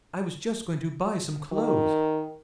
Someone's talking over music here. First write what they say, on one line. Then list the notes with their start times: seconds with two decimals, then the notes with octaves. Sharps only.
I was just going to buy some clothes.
1.52 D#3